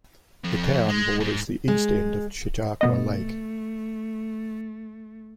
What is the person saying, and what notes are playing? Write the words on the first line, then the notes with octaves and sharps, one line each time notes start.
The town borders the east end of Chautauqua Lake.
F2
G#3
G#2
G#3
B2 A3 B3 D#5